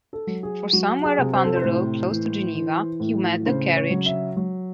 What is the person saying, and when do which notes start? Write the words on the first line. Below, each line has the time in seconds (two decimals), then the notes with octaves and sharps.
For somewhere upon the road close to Geneva he met the carriage.
0.13 A4
0.27 F#3
0.43 G#4
0.73 F#3 F#4
1.04 G#4
1.18 C3
1.33 C5
1.45 A4
1.56 C5
1.64 A2
2.10 E3
2.55 E3
3.00 A2
3.46 C#3 C5
3.76 C#5
3.90 F#3
4.06 E5
4.36 F#3